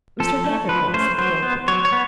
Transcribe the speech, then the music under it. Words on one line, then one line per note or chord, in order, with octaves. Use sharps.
"Mr. Gathercole," said the girl quickly.
F3 A4
A3 C#4
F3 B4
A3 C#4 C5
F#3 C5
B3
F#3 C#5
C#5
B3